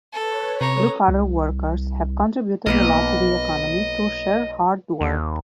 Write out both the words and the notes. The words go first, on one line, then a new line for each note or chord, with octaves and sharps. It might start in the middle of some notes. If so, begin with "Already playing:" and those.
Blue collar workers have contributed a lot to the economy through sheer hard work.
A4 B4 C#5
C3 C#4 A4 C#5 A#5 D#6
C2
B1 A#3 B3 A#4 D#5
D#2